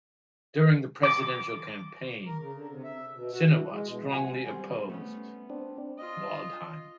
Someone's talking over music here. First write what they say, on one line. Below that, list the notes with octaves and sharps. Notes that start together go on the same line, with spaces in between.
During the presidential campaign, Sinowatz strongly opposed Waldheim.
D6
A#4
C#3
D3
C3
E5
B2
F#4
E3
G#3
B2
F#5 G#5
G3 C4
A3 B3 C#4
C4 D4
F4 D#5